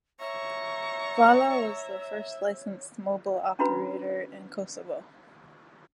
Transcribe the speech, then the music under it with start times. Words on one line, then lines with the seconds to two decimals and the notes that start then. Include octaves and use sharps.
Vala was the first licensed mobile operator in Kosovo.
0.20 C#5 E5 A#5 C#6
3.59 C#4 D4 E4 F#4 B4 B5